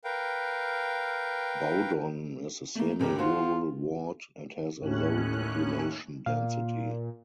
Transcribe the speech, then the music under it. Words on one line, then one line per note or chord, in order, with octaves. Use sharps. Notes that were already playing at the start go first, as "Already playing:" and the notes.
Bowdon is a semi-rural ward and has a low population density.
A#4 B4 F5 G5
A3 A#3
G1 C#2 G4 A#4
F4 F#4 C5
D#2 A2 C#4 F#6
A#2 F5